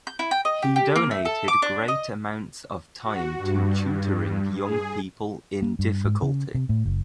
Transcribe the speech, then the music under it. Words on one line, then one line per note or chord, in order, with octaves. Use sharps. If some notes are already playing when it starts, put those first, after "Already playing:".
He donated great amounts of time to tutoring young people in difficulty.
G6
E4
G5
D#5
G4
G4
A#3
A3
A4
D6
D4
D#5
F#4
G2
G#4
A#3
G2
G#2
C#3
C3
A2
F#1